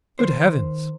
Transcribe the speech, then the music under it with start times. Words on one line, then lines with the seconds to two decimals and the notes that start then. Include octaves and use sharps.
Good heavens!
0.19 D#3 A#4 C5